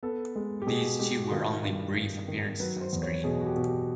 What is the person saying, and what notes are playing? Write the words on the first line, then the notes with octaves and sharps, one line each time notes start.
These two were only brief appearances on screen.
B3 A4
G#3
G4
B2 G#4
G#3 G4
F#4
D#3 F4
G2
G2
D#3
F#3 B4
C5
E2
C#5
B2 G#4
F#4
G4
B2
G4